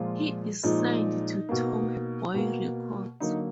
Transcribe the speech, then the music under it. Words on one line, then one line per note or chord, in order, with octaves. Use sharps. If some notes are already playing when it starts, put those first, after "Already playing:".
He is signed to Tommy Boy Records.
Already playing: A#2 F3 G#3 F4
A#2 F3 G#3 D#4
B2 A#3
B2 A#3
D3 F#3 A#3 D#4